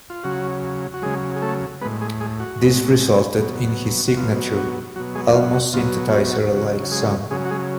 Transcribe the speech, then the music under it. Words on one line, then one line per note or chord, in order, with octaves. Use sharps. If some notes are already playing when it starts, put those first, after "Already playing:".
This resulted in his signature, almost synthesizer-like sound.
F4
C#3 F#3 F#4
F#4
C#3 F#3 G#3 G#4
G#4
A3 A4
A2 G#3 B3 B4
G#3 G#4
G#3 G#4
F#4
A2 G#3
B2 F#3
F#4
B2 F#3 F4
F#4
B2 F#3 F#4
G#3 G#4
F4
F#4
B2 F#3 F4
F#4
F#4
C#3 F#3 F#4
G#3 G#4
C#3 F#3 G#3 G#4
F#4
G#3 G#4